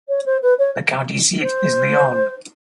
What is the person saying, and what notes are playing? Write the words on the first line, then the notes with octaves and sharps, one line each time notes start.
The county seat is Leon.
C#5
C5
B4
C#5
C5